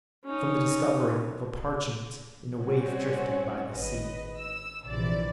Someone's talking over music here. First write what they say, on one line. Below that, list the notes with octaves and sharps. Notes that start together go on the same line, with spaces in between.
From the discovery of a parchment in a waif drifted by the sea.
C#4 D#4
G3 C4 C#4 F#4
G#1 B4 D#5
E6
A#1 C3 E3 D5